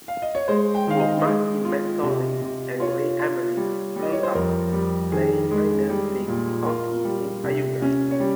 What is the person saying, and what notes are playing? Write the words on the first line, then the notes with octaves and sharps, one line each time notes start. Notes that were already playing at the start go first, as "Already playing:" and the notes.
Both Marty McSorley and Ray Emery grew up playing minor league hockey in Cayuga.
F5
D#5
C#5
G#3 C5
G5
D#3 F5
D#5
G#3
F4
C3
C3
F4 C#5
F4
G3
G3
D#5
C#5
C5
F2 A#4
G3
D#3 G#4
G#3
G3
A#2
F4 A#4
G3
C3
C#4
C#5
G3